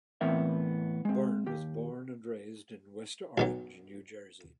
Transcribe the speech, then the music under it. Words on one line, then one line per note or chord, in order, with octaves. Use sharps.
Byrne was born and raised in West Orange, New Jersey.
A2 E3 B3 C4 A#4 E5
G#3 C4
D#2 G4
B1 B2 F#3